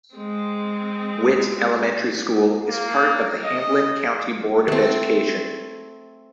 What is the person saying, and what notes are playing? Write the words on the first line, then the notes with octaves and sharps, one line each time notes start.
Witt Elementary School is part of the Hamblen County Board of Education.
G#3 C4
A#3
D#5
A3 C4